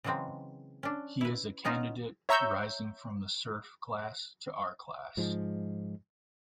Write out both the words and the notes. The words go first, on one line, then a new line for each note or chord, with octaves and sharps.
He is a candidate, rising from the serf class to our class.
C#3 E3 F#3 G#3 C4
C#4 D4
E4 B4
B3 C#4 D#4 F4 F#4
C#5 E5 A#5 C#6 E6 G6
G#2 F3 G#3